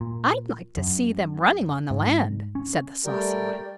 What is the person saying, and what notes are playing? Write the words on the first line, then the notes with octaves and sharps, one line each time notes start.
"I'd like to see them running on the land," said the saucy one.
A#2
F#2
G#2
C#4
G3 A3 A#4 D5 G5